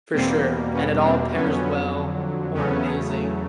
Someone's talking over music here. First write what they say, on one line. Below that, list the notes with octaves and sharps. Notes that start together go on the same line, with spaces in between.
For sure, and it all pairs well or amazing
E2 B2 G3 A#3 C4
B3 C#4
C4 D4
F2 D3 F#3 B3 C#4
E2 C#3 F#3 A3 B3 C#4